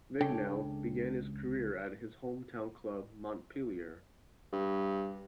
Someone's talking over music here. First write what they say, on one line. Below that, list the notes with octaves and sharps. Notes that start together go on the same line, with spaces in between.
Vignal began his career at his home town club, Montpellier.
C#2 D4 A4 C#5 G5
G2